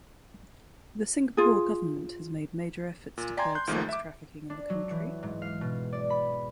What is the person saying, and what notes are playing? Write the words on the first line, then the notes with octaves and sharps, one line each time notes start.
The Singapore government has made major efforts to curb sex trafficking in the country.
F4 G#4
A#2
D5 G5 G#5 A#5 C6 G#6
C6 F#6 G6
C2 G#2 D#3 F3 A3 A#3
E5 D6
D4
F#3
E3
G#2
F5
B2
D5
B5